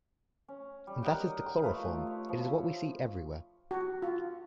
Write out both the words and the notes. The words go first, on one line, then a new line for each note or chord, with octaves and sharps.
And that is the chloroform; it is what we see everywhere.
C#4
G3
A#4 D#5 F#5 G5
A3 F4 B4 F5
C#5
F3
F#4
F4